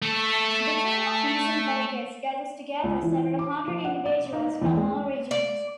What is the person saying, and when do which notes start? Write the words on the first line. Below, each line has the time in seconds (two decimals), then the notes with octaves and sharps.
The team of mission delegates gathers together several hundred individuals from all regions.
0.02 A3 A4
2.84 C#2
3.02 E3
3.39 D6
3.68 F3
3.85 F#5
4.06 D5
4.33 D#4
4.62 E2
4.77 G#3
5.31 D5